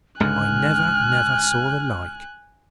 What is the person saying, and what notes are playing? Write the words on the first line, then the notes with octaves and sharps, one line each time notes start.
'I never, never saw the like.
C#2 G#2 D3 G#5 F6 F#6